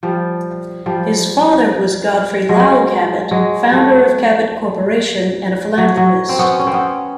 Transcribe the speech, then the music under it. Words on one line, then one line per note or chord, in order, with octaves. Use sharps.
His father was Godfrey Lowell Cabot, founder of Cabot Corporation and a philanthropist.
F3 G3
F3 G3
F#3 G#3
F#3 G#3
G3 A3
F#3
F#3
C4
B3 C#4
C#4
C4
B3 C#4